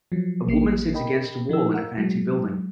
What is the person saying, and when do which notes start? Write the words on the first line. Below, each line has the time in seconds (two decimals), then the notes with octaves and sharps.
A woman sits against a wall in a fancy building.
0.12 F3 F#3
0.47 A1 A#3 C7
0.94 A#4 D#5 G5 B5
1.49 F3 D#4 E4 E6
1.74 A#4 F5 F#5 E6
1.98 F#3 G#3